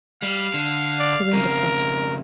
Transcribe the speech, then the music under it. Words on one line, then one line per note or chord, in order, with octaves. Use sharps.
Clorinda flushed.
G3 F5
D3
D5
F2 C#3 A#4